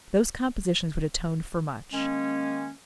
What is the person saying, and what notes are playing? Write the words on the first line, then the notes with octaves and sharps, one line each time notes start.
Those compositions would atone for much.
D#3 G#3 A#3 C#4